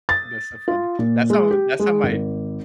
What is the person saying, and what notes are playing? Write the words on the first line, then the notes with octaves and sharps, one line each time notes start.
That's so funny, that's how that's how my
A6
F4
A#2
G#3
G4
G#3
G#1